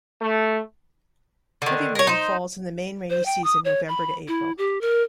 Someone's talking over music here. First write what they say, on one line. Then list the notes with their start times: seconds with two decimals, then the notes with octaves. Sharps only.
Heavy rain falls in the main rainy season November to April.
0.22 A3
1.62 D3 D#3
1.95 A#4 C#5
2.07 D#4 C5
3.10 C5
3.26 G5
3.44 D#6
3.65 C#5
3.88 B5
4.28 E4
4.58 G4
4.81 A#4